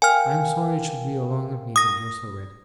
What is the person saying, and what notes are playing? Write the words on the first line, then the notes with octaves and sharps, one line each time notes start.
I am sorry it should be along of me that you're so ready.'
A#4 F5 G5 G#5 F6
D#6 A#6